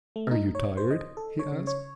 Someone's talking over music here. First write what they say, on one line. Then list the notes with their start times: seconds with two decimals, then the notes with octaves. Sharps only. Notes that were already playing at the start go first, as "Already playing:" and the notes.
"Are you tired?" he asked.
0.16 A3
0.31 D#4
0.55 C#5
0.77 C5
0.91 D#5
1.17 A4
1.39 C#5
1.52 C#3
1.67 C#5